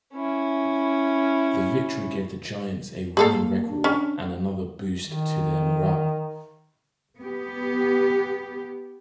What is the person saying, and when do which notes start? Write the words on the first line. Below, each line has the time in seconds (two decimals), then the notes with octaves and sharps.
The victory gave the Giants a winning record and another boost to their morale.
0.14 C#4 E4
3.17 A#3 G#4 A4 F5
3.68 D4
3.84 C#4
5.07 D#3
7.18 B3 G4